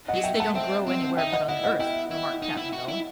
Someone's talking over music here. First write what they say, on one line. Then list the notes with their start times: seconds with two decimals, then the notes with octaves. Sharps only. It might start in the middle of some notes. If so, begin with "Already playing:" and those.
"Guess they don't grow anywhere but on the Earth," remarked Cap'n Bill.
0.08 D#5 F#5
0.14 F#3
0.23 E5 G5
0.35 A3
0.40 F#5 A5
0.55 C4 E5 G5
0.86 C4
1.17 D#4 E5 G5
1.32 D#5 F#5
1.48 E4 D#5 F#5
1.64 D#5 F#5
1.80 E4 E5 G5
2.11 E4
2.42 D#4
2.57 E4
2.73 F#4
2.88 E4